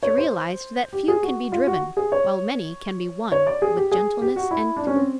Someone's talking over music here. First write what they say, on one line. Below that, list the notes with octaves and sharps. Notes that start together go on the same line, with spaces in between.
She realized that few can be driven, while many can be won with gentleness and tact.
C#5
C5
G4
G#4
F#4
F4
F#4
G#4
C#5
C#5
D5
G#4
G4
G#4
G4
F#4
E4
D4
C#4
C4